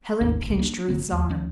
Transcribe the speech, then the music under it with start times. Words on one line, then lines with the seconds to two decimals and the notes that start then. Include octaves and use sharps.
Helen pinched Ruth's arm.
0.21 G#1 D#2 C#4
0.44 G#1 C#2
0.59 A#3 C#4 D4
0.88 F#1 D3 A#3 C4
1.08 D#2 A3
1.29 D2 F3 C#4